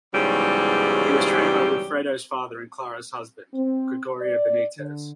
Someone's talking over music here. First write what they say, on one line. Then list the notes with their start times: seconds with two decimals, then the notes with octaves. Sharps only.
He was trained by Wilfredo's father and Clara's husband, Gregorio Benitez.
0.13 E2 G#2 C#3 F#3 G3 G4
3.54 C4
4.21 D5
4.78 D3